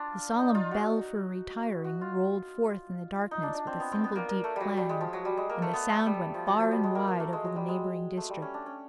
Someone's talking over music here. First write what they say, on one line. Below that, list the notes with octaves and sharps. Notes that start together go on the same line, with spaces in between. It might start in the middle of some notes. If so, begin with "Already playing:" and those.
The solemn bell for retiring rolled forth in the darkness with a single deep clang, and the sound went far and wide over the neighbouring district.
Already playing: D4 F4
D#4
F4
F#4
F#4
F4
D#4
D4
D4
C4
B3
C4
B3
A#3
A#3
A3
F#3 G3
G3
G#3
F3
F#3
G3
G#3
A#3
A3
B3
A3
G3
F3
F#3
F3
G3
G#3
A#3
A#3
A3
G#3
F#3
G3
G#3
A3
G3
C#4
D4
C#4